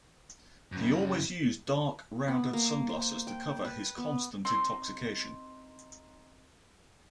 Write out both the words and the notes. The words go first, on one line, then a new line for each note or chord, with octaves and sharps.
He always used dark rounded sunglasses to cover his constant intoxication.
F#2 C#3
B3
A#3
C5
G5
B4
B3
C4 D#4 C6